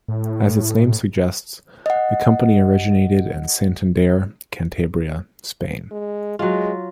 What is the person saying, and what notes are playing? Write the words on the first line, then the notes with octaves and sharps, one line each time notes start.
As its name suggests, the company originated in Santander, Cantabria, Spain.
A2
D#5 F#5
G#3
F#3 G#3 F4